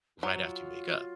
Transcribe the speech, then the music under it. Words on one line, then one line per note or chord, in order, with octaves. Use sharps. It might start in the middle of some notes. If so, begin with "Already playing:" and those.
right after you wake up,
F#3 F4
F#4
F4